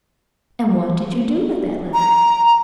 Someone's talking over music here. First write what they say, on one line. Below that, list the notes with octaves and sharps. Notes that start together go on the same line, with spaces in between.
"And what did you do with that letter?"
A#5